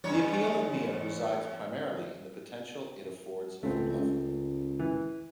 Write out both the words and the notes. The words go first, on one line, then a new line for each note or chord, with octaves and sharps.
The appeal of Mia resides primarily in the potential it affords for bluffing.
E2 G2 C#5
C#2 A3 C4
C#2
E3